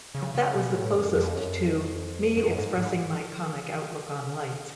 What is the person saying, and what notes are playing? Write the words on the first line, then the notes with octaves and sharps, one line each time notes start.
But that was the closest to me expressing my comic outlook on life.
C#3
C#3
B2
A2
F#2
F2
F#2
F2
F#2
G#2
G#2